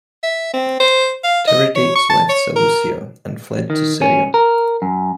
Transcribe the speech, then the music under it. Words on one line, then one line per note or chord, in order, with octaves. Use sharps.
Tiridates left Seleucia and fled to Syria.
E5
C4
C5
F5
D#5
C#5
C#6
A5
C#5
A#4
D#3
C#4
A#4
F#2